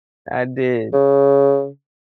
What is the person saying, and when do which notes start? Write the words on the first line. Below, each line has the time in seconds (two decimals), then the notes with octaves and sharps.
I did.
0.93 C#3